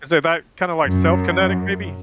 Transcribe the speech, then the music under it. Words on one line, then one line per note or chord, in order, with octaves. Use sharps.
Isn't that kinda, like, self-kinetic maybe?
F#2